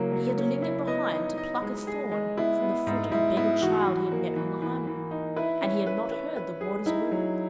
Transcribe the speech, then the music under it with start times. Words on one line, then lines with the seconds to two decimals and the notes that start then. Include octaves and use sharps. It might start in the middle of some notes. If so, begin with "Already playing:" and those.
He had lingered behind to pluck a thorn from the foot of a beggar child he had met on the highway, and he had not heard the Warder's words.
Already playing: C#3 F#3 A#3 E4
0.12 F#3
0.38 C#4
0.62 E4
0.87 B3 D#5
1.12 D#4
1.37 D#5
1.62 G#3
1.87 G#4
2.12 G#3
2.37 B3 E4
2.62 B3
2.87 G#2
3.11 G#2 E4
3.36 B3 E4
3.62 E3 F#4
3.87 E3
4.12 A#3
4.36 E3
4.62 E3
4.87 E3
5.11 D#4
5.36 E4 B4
5.62 C#4
5.86 B4
6.11 B4
6.36 B4
6.61 G#4
6.86 D#4 E4
7.11 F#3